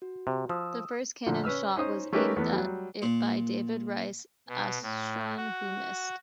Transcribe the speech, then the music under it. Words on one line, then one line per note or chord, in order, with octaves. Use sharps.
The first cannon shot was aimed at it by David Rice Atchison, who missed.
F#4
C3
F3 D#6 E6
A#2 D3 F3
C#4 B4 E6 F6
C#4 D#4 C5 D#6
A3 C#4 D#4 G4 A#4 B4
E2 A3 B3
F#3 G3
A#2
B2
A2
F#4